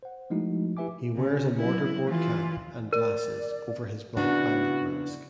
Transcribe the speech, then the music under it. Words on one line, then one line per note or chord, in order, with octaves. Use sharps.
He wears a mortar-board cap and glasses over his black bandit mask.
C5 F#5
F3 G#3 A3 D#4 E4 F#4
E4 G4 B4 E5 G#5 D6
C#3
F#3 E4
E3 F4
A#4 D5
C#3 B3 D4 E4 F#4